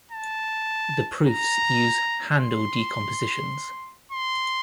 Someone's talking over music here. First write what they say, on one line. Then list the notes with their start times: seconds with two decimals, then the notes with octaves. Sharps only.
The proofs use handle decompositions.
0.12 A5
1.26 A#5
2.40 C6
4.12 C6